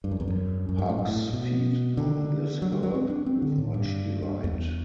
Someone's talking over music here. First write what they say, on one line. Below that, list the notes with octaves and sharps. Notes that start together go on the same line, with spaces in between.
Hogs feed on this herb with much delight.
G2
F#2
E2
F#2
F#2
G2
A2
G2
A2
B2
D3
F#3
G3
F#3
C4
D4
C4
D3
A2
G2
G2
E2